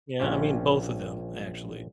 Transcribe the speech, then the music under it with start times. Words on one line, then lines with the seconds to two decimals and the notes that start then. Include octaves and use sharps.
Yeah, I mean both of them actually.
0.19 A#1 C4 C#4 F4 G4